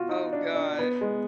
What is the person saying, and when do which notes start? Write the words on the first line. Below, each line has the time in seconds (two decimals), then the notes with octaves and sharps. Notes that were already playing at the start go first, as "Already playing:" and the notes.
Oh, god.
Already playing: F4 F#4
0.09 D#4
0.33 D4
0.55 D4
0.79 B3
1.01 G#3